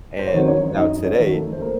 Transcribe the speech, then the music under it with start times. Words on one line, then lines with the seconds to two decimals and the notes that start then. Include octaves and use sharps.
And now today,
0.19 C5
0.27 C#5
0.33 D#3 F#3 C4 C5
0.48 C#4 C#5
0.76 F#2 D#4 D#5
1.04 C#4 C#5
1.18 D#3 F#3
1.33 A3 A4
1.53 C5
1.61 A#3 A#4